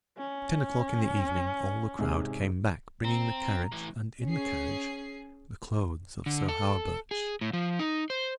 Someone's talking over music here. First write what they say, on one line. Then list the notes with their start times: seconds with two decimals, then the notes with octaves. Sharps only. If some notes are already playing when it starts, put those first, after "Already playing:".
At ten o'clock in the evening all the crowd came back, bringing the carriage, and in the carriage the clothes of Sir Hawerburch.
0.18 C#4
1.99 G#2 C3 G#4
3.04 C4 A#5
3.72 A2 E3
4.27 C#4 G#4 C7
6.26 D3
6.48 A4
7.11 G#4
7.41 A2
7.53 F3
7.79 D#4
8.10 C5